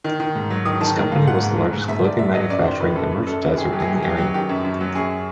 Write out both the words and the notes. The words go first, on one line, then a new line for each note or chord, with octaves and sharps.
His company was the largest clothing manufacturing and merchandiser in the area.
D#3
D#3
G#2
F#3
D#3 D#6
D#3 A5
D#3
G#2 F5
G#2 F#5
G#2
G#2
G#2
G#2 E5
G#2 D5
G#2 E5
F#3 D#5
F#2 D5
D#3 C5
D#3 B4
F#2 A4
F#2
F#2 A4
F#2
D#3 G#4
F#3 G4
G#4
F#3 G4
G#4
F#3 G4
G#4
F#3 G4
D#3 G4
F#2
F#2
F#3
F#2 G#4